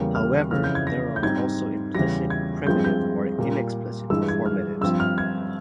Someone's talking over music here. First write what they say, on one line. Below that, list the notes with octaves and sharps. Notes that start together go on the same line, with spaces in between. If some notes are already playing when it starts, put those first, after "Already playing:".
However, there are also "implicit", "primitive", or "inexplicit" performatives.
Already playing: E2 C#3 G3 A#3
F6
F2 C#3 E3 F6
G6
G#6
A#6
G6
G#2 G3 C4 G#6
E2 C#3 G3 A#6
G#6
G2 F3 G#3 C4 G6
G6
A#2 G3 A#3
G2 E3 G#3 E6
G#6
F6
G2 F3 C4 E6
F6
G#6